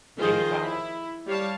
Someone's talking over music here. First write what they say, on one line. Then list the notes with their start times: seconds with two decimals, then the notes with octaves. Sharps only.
Gimme five.
0.18 D#3 F3 F4 G#4 C5 D#5
0.62 E4
1.27 G3 C#5 F5 A5